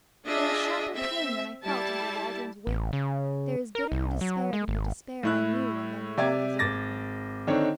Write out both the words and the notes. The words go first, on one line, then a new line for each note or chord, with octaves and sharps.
There is sharper pain than I felt under Waldron's whip; there is bitterer despair than the despair I knew when Manuel deserted me.
D4 F4 G#4 D#5 E5
C4 E5
G3 E4 A5
A1
C#3
A#4
C2
F#3
G#3
G#1
A2 E4 F#6
C3 G4 D5 E5 G#6
G#1 D6 A6 A#6
D3 D#3 C4 D4 D#4 C#5